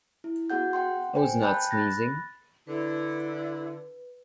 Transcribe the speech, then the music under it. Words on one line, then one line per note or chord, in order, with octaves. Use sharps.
I was not sneezing.
E4
B3 F#4 G#4 F#5 G6
F#5 G5 C6
C5 G5 G#5
G5 A5 B5 F#6 G6
B5 F#6 A6 A#6
D3 E4 B4